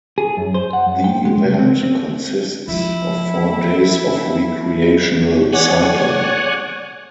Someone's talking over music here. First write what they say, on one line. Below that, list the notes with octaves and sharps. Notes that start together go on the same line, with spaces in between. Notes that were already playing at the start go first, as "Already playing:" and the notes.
The event consists of four days of recreational cycling.
G#4
F#2
C5
F#5
F#2
G5
G#3
C2
C4
C4
F3 G#3 E4
C#5 D5 F#5 G#5